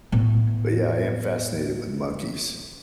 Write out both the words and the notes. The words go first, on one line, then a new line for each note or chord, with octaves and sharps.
but, yeah, I am fascinated with monkeys.
A2 B3